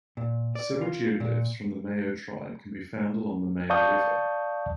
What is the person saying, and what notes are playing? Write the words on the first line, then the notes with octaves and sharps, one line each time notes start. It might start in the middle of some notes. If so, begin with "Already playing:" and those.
Several geoglyphs from the Mayo tribe can be found along the Mayo River.
A#2
D5
F4
A#2
D5 F5 A5 C#6 D#6 G6